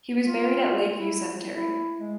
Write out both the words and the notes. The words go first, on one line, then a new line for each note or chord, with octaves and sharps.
He was buried at Lake View Cemetery.
F4
E4
E4
G#3